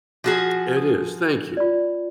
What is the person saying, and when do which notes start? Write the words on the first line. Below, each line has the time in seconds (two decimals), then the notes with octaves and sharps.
It is, thank you.
0.24 F3 F#4 G#4
0.77 D#6
1.57 F4 D5